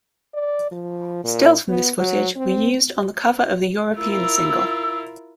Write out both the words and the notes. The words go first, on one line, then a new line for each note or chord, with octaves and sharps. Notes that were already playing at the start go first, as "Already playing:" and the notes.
Stills from this footage were used on the cover of the European single.
D5
F3
A#2
B3
F#3
C4
E4 F4 A#4 E6